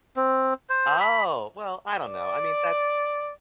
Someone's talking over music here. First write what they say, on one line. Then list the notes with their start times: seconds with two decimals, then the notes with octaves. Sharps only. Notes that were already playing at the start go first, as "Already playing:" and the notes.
Oh, well, I don't know. I mean, that's
0.17 C4
0.70 C5
1.00 B5
2.03 D5